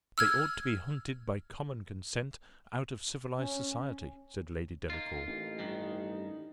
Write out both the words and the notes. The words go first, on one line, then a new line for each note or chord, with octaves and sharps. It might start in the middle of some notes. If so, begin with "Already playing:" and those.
"They ought to be hunted by common consent out of civilized society," said Lady Delacour.
E6 F6 G#6
C#4
A#3 D#4 F4
A1 D#4
G2 D#3